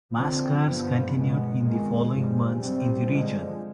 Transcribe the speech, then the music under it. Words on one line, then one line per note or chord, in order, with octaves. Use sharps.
Massacres continued in the following months in the region.
D3 F3 C4
G2 D3 F3 B3
B2 G#3 B3
F2 D#3 G#3
G2 F3 G#3
C3 G3 C4
D3 F3 G#3